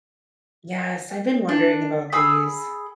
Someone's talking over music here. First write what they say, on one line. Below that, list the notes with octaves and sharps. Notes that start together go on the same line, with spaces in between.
Yes, I've been wondering about these.
D4
G#4 B5 E6